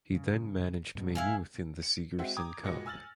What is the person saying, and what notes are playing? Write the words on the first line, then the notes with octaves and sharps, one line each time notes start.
He then managed Maynooth in the Sigerson Cup.
G2 C#3
G2 B2 G3
E4 F5 G#5
C#7
G#3 C4 F#4 E5 F#5
G5 A#5 D6 D#6 G#6
F1 A#2 G#3 F#4 A#6 C#7
G#5 E6 F6 A6 F#7